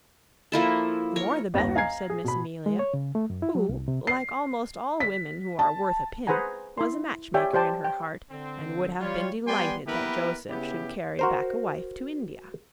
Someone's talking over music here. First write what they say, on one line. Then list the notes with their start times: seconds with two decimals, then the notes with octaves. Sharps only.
"The more the better," said Miss Amelia; who, like almost all women who are worth a pin, was a match-maker in her heart, and would have been delighted that Joseph should carry back a wife to India.
0.52 F3 A#3 E4 A4
1.16 A#4 C#5
1.54 G1 D#2 A#6
1.75 D#5 F5 G#5 A#5 G#6 C7
2.10 G#4
2.24 B2 B5
2.66 G#3
2.79 C#5
2.94 C#3
3.15 A3
3.30 F#2
3.42 E4
3.55 F#3
3.69 C2
3.88 C3
4.07 C7
5.00 B6
5.59 A5
6.27 G#4 B4 C5 F#5 G#5 A#5
6.78 E4 C6
7.34 G4 C#5 D5 E5 G5 G#5
7.54 G4 C5 D5 G5 A5
7.84 G5
8.31 D3 C4
9.00 G3 F4 C#5
9.47 G3 B3 D5 G5 G#5 C6
9.87 A#3 B3 E4 G4 A#4 B4
10.49 C#3 B3 E4 G4
11.19 F#4 A#4 C5